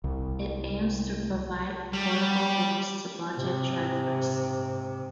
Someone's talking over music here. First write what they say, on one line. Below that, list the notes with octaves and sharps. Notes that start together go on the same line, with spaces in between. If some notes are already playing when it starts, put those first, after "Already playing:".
It aims to provide affordable rooms to budget travelers.
C2
G3
G#2 C3